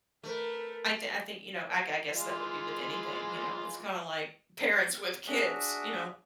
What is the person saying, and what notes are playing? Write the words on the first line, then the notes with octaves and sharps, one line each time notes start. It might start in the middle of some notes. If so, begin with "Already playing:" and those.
I think I think, you know, I I guess that would be with anything, you know? It's kinda like parents with kids, you know?
A3 A#4 B4
E3 G#3 F4
D4 F#4 G#4 E5